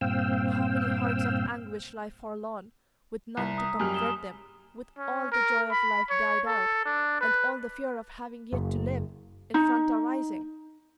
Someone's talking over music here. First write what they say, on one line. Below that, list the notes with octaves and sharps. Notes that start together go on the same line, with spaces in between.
How many hearts of anguish lie forlorn, with none to comfort them, with all the joy of life died out, and all the fear of having yet to live, in front arising!
G2 A#2 C4 F5 G5 E6
C2 A#5 B6
A#5 D#6 B6
F#2 G3 F6
D#6 E7 G7
C#4
A#4
B5
C#5
A4
D4
B4
F#1
D#4